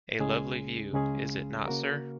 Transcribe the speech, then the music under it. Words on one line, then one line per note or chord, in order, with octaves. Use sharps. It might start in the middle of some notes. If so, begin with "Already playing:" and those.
A lovely view, is it not, sir?
C#2 C#3 G#3 C#4 G#4
C#2 C#3 G#3 C#4 G#4
C#3 A#3 F#4 A#4